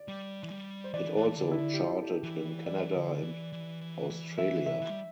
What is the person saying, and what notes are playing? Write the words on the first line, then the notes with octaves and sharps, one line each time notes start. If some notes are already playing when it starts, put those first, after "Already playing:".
It also charted in Canada and Australia.
Already playing: D5
G3
E3
G3
C5
E3 D5
E3
A4
D3
E4
D3
G4
A4
E3
E3 D5
D3
E3
E3
E3
E3
E3 E5
E5
E3
G3